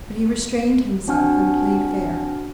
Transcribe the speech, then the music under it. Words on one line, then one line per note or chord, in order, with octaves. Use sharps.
But he restrained himself and played fair.
C4 D4 F#4 F#5 G#5 F6